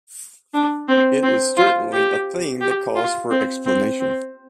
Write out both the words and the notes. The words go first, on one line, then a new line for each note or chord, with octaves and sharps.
It is certainly a thing that calls for explanation.
D4
C4
C4
F4
G4
G4
F4
C4
C4
C4